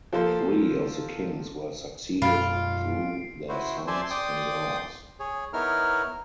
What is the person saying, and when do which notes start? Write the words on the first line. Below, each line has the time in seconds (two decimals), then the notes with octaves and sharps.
Three of the kings were succeeded through their sons-in-laws.
0.13 F3 A#3 A4 C5
2.22 F#2 B2 G#3 F4 B5 C7 D7
3.49 E4 F#4 C5
3.87 C5 D5 E5 G#5 A5 C6
4.10 D5 G5 C6 D6 D#6
5.20 G#4 C#5
5.53 B3 D#4 E4 A#4 C#5 F6